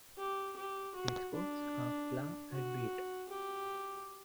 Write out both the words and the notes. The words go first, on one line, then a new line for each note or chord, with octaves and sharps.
The exports are flour and wheat.
G4
G4
F#4
D4
F#4
G4